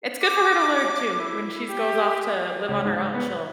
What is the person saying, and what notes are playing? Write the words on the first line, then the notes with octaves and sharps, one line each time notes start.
It's good for her to learn, too, when she's goes off to live on her own, she'll
D6
E4
G4
C#2
G#2
B3